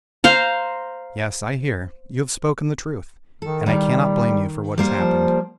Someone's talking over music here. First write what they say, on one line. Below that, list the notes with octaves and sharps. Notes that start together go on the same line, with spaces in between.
'Yes, I hear; you have spoken the truth, and I cannot blame you for what has happened.
C5 F5 A#5
D#3 A4
D#3 G3
G3 A#3 C5
F3